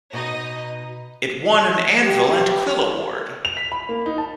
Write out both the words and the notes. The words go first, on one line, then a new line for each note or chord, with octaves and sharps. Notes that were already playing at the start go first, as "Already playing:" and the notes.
It won an Anvil and Quill Award.
B2 D#4 D#5
G4
F7
B6
B5
A#3
D#4
A5